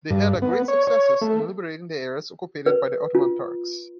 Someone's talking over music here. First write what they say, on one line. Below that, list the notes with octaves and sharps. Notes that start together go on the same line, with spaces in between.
They had a great successes in liberating the areas occupied by the Ottoman Turks.
G2
B3
C#5
C#5
A3
B4
F4